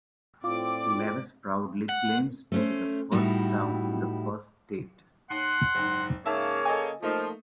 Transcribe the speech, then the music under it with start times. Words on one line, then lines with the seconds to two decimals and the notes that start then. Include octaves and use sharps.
Lewes proudly claims to be The First Town in The First State.
0.44 A2 C4 F4 D5 D6
1.89 F#5
2.52 A3 C#4 C5
3.11 A2 G3 D#4 E4 F#4
5.30 D#2 F#5 C6
5.75 F#1 G#2
6.25 G#2 C#3 A#3 C#5 E5 A5
6.65 A4 D#5 G#5
7.02 F3 A3 A#3 D#4